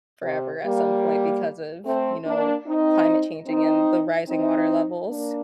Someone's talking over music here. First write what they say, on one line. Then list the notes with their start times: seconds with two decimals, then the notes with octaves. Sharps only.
forever at some point because of, you know, climate changing and the rising water levels.
0.23 C3
0.64 G3 A#3
1.85 A3 C4
2.26 A#3 D4
2.66 C4 D#4
3.47 C4 D#4
4.28 C4 D#4
5.09 A#3 D4